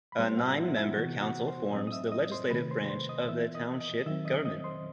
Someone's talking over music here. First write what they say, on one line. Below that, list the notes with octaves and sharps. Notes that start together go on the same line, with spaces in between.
A nine-member council forms the legislative branch of the township government.
B5
A2 G3 B3 C5 C6
F#4 F#5
E4 E5
E4 E5
C3 E3 B3 F#4 F#5
F#4 F#5
C5 C6
A2 F#3 C4 D#5 D#6
D#6
E5 E6
D#5 D#6
C5 C6
C3 D#3 A3 B4 B5
C5 C6
C5 C6
D#5 D#6
E3 B3 E5 E6
D#5 D#6
D#5 D#6
D#3 F#3 C4 E5 E6
D#5 D#6
D#5 D#6
C5 C6